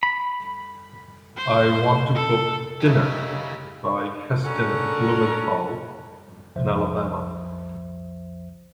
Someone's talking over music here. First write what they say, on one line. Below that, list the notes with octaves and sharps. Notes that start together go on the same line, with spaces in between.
I want to book Dinner by Heston Blumenthal in Alabama.
B5
C5
A4
C#3 A3 C#4 E4 G4 A#4 D#5
C#4 D4 F#4 A4 A#4
B1 F2 F3 C5 E5